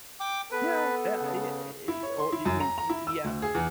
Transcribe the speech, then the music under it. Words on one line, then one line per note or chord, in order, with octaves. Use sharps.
Yeah, yeah, I yea eh eh or e mean y yeah,
G5 D6
B3 A4 B4
C#3
E4
C#5
C6
E4
F#2
A#5
A#5
E4
E6
D2
G#4
E2